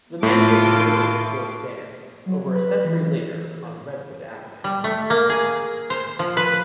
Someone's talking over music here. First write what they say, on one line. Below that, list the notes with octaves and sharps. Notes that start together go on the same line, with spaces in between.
The Mahoods' building still stands, over a century later, on Redwood Avenue.
A2 F4 A4 D6
F#3
B4
E3
G3
A3
A#3
G#4
C5
F3
B4